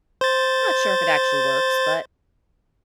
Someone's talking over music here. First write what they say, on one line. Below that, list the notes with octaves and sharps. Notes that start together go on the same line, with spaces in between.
not sure if it actually works, but
C5 A6